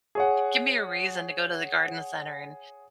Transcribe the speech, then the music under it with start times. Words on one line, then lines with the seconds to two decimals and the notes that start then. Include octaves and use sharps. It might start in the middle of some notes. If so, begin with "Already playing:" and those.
give me a reason to go to the garden center and
0.15 G#4 C#5 F#5